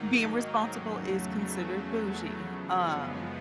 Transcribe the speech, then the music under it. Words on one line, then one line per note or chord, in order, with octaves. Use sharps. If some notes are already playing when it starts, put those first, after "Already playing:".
Being responsible is considered "bougie." Um,
Already playing: G#2 D#3 F#3 A#3 D#4
E2 C#3 F#3 A3
F#2 C#3 F3 G#3 B3